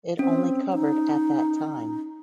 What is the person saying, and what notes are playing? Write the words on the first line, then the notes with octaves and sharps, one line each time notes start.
It only covered at that time.
C4 C#4
D#4